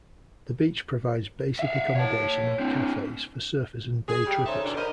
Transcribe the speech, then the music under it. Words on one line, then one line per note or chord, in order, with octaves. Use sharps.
The beach provides basic accommodation and cafes for surfers and day-trippers.
E5 F5
C#5 A5
C4 D4
G#4
G3 G4
C#3 D#4 A4 C5 C#5 E5
E2 B2 D3 D4
B3 A#4 C5 D#5